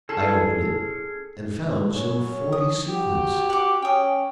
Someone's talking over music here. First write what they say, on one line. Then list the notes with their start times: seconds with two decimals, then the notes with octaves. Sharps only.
I opened it, and found some forty sequins.
0.09 C#4 E4 G#4 A4
1.94 F#2 F#3 C#4
2.52 D#6
2.88 F#4 G4
3.50 F#5 D6
3.82 C#4 G5 D#6